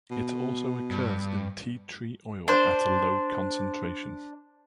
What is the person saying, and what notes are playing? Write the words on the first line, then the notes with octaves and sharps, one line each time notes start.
It also occurs in tea tree oil at a low concentration.
B2
G2
D4 C5